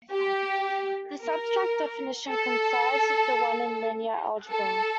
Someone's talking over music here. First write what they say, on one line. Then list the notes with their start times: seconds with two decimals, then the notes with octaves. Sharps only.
This abstract definition coincides with the one in linear algebra.
0.13 G4
1.22 A#4
2.31 A4
4.49 A4